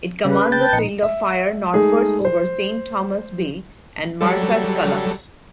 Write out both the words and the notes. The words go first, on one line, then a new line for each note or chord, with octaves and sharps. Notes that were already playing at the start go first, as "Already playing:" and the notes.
It commands a field of fire northwards over Saint Thomas' Bay and Marsaskala.
C#3 B4
G5 A5
A#1 D#4 C#7
E5
G#3 A3 D#4 G#4
C5
F#3 G3 A4